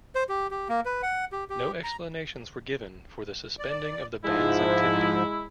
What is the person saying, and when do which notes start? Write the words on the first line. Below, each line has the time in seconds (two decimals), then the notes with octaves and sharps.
No explanations were given for the suspending of the band's activity.
0.15 C5
0.29 G4
0.51 G4
0.69 A#3
0.85 B4
1.03 F#5
1.32 G4
1.50 G4
1.84 A#5
3.59 D5
4.25 G#2 F3 G#3 E4